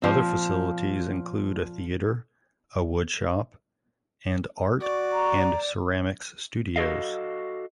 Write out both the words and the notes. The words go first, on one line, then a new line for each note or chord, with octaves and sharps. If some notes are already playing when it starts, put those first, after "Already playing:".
Other facilities include a theater, a wood shop, and art and ceramics studios.
A#2 F3 C4
F#4 D5 C#6
A#5
F#4 A4 D#5 F5